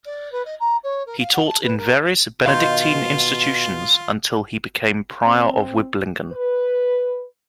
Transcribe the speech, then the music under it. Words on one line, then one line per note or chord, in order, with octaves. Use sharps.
He taught in various Benedictine institutions until he became prior of Wiblingen.
D5
B4
D#5
A#5
C#5
A#4
F5
F#5
A5
B4
A#4
B2 D#3 F4 F5 C6 G6
C4
B4